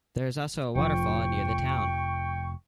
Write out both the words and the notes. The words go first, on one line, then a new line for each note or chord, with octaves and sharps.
There is also a waterfall near the town.
F1 F3 G5 C#6